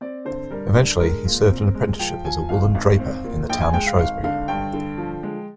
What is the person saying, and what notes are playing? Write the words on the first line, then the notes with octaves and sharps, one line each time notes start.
Eventually, he served an apprenticeship as a woollen draper in the town of Shrewsbury.
C4 D5
D3 C5
G3 A#4
D3
G#3 A#4
A#2
C4
G#3
F3 G5
F3 G#5
G#1 F5
G#1
C4
A#2
A#1 G5
G#5
G#3 G5
F5
G#1 F5
D3 F5
G2 G5
D3
F3
G#3